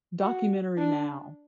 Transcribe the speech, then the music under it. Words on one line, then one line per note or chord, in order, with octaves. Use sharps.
Documentary Now.
F#4
D4